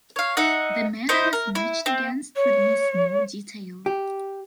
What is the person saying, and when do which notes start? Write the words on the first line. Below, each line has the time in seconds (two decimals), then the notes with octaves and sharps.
The men I was matched against would miss no detail.
0.16 C#5 F5
0.37 D#4 E5 F#5
1.09 D#4 E4 C5
1.33 A#4
1.55 E4
1.86 C4
2.35 C#5
3.86 G4